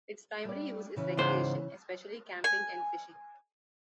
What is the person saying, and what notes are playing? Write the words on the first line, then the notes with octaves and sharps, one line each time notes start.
Its primary use is recreation, especially camping and fishing.
G3 D5
C#3 E3 E4
C#2 G#2 C5
G#5